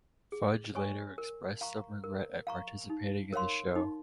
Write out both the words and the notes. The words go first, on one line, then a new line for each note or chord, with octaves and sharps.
Fudge later expressed some regret at participating in the show.
G#4
C#5 G#5 C#6
A#4
F5 A#5 C#6
A#4
F5 A#5 C#6
D#4
A#4 C#5 F5 C6
D#4